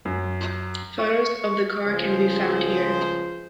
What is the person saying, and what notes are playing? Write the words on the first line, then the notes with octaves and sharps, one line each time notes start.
Photos of the car can be found here.
F#2
C#6
C#2 F3 F4 G#4 C5